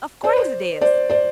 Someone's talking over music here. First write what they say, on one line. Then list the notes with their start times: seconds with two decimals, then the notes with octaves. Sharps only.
'Of course it is.
0.24 C5 D5
0.81 C5 D5
1.10 C5 D5